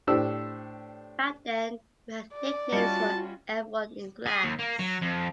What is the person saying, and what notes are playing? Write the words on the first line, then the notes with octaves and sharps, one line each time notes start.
Back then we had nicknames for everyone in class.
A2 D4 G4 C5 E6
D5
G3 C#4 F4 F#4 D#5 A5 C#7
G#4
D#2
A#3
F#3
F2